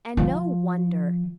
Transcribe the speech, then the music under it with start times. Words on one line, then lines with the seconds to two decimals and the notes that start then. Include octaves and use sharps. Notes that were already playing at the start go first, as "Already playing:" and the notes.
And no wonder!
0.17 F3